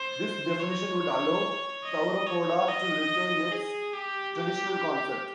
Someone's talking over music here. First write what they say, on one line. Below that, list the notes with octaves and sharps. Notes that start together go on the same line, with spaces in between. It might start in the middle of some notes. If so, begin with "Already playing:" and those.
This definition would allow Sauropoda to retain its traditional concept.
Already playing: C5
C#5
D#5
C#5
D#5
G#4
G4
G4